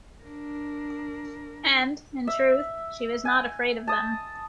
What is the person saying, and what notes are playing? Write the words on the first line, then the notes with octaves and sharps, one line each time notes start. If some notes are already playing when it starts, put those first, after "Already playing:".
And, in truth, she was not afraid of them.
D4 A#4
E5
G#5
A5 D#6